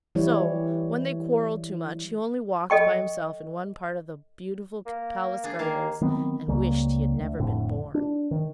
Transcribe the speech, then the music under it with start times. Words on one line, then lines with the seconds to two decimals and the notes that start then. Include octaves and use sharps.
So, when they quarrelled too much, he only walked by himself in one part of the beautiful Palace gardens and wished he had never been born.
0.15 E3 G3 E4 C#5
2.70 A4 D#5 G5 C#6
4.86 A#3
5.44 D4 G#4
5.59 D#3 A#3 F5
5.74 D#2
6.01 D#3 F#3 B3 C4
6.48 C#2 C#3 G3 A#3
7.18 D2
7.39 F1 F2 A2 D3
7.94 D4
8.31 D#3